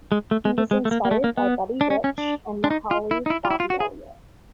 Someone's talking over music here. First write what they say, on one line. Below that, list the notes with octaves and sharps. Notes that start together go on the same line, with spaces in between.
He was inspired by Buddy Rich and The Hollies' Bobby Elliott.
G#3
A3
G#3
A3
G#3
A3
A#3
A#3
A3
A#3
B3
D4
C#4
C#4
D4
D4
D#4
F4
E4
D#4
E4
F4
E4
F4
F#4
G#4